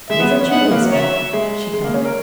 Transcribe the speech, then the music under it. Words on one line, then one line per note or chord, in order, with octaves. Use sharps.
"It isn't Julia's fault," she thought.
G#3 E5
B3
C#4
C#4
B3 F#5
G#3
A#3
F#3
C#5 E5
G#3
G#3
A#3
C#4
A#4